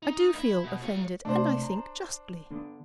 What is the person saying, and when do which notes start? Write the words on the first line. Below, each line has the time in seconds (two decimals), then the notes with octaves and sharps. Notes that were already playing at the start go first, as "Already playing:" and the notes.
'I do feel offended; and, I think, justly.
0.02 D#4
0.35 E4
0.65 B2
0.81 F4 C#5
1.25 C3 A3 D4 C5
1.62 A#5
2.51 D3 B3 D4